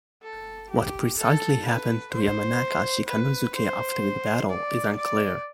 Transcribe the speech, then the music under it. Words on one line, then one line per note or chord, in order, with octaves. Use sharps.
What precisely happened to Yamanaka Shikanosuke after the battle is unclear.
A4
G4
A4
B4
C5
B4
C5
D5
D5